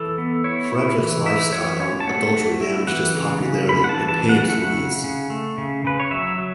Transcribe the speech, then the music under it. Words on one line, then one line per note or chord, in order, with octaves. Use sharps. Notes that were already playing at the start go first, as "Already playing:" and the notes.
Fredrick's life style and adultery damaged his popularity and pained Louise.
Already playing: E3 A4
B3
E4 C#5
E4
E3
E4 E5
E3 C#5
C#4 C#5
A5
A3 F#5
A3
E4
E3 F#5
C#3
C#3
C#3 B5
F#5
A5
E3
A5
C#3
F#5
A3 F#5
C#3
C#3
A3
C#3
C#3 B4
C#5
F#3 E5
F#3